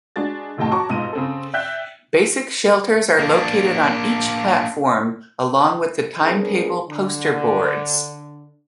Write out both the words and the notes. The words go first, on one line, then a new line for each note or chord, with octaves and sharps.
Basic shelters are located on each platform, along with the timetable poster boards.
G#3 D4 F#4 G#4 A6
F1 D#2 A2 D#5 G5 A5
F#4 C#5 A5 A#5 C#6 D6
B1 G#2 F4 D#5 D#7
C#3 C4 A4
D5 E5 G5 F#6 G6 B6
A#3 D4
G#3 B3 C4 D4 G#4 A#4
D3